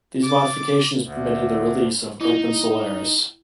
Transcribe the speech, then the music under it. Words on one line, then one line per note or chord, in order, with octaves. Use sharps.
These modifications permitted the release of OpenSolaris.
D6 A6
D2
D#4 E4